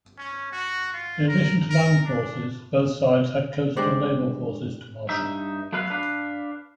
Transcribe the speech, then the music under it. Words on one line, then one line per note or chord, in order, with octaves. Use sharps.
In addition to land forces, both sides had coastal naval forces to marshal.
C#4
F#4
F4
A#4
A#4
D4
G3 G#3 D4 C5
G2 D#4 E5
F#3 A3 B3 B4 E5 F5
D4 B4 F5